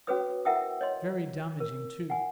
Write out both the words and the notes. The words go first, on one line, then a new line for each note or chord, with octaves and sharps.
Very damaging, too!
C#4 F#4 G#4 B4 C#5 D#6
E4 A#4 E5 F#5 G5 D#6
C#5 D#5 C6
A#4
F#5 G#5